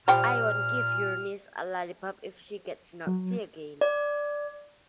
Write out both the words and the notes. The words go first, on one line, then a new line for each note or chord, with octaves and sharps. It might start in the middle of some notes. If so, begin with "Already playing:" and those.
I won't give your niece a lollipop if she gets naughty again.
A#2 F3 G3 G5 F6
F#3
D5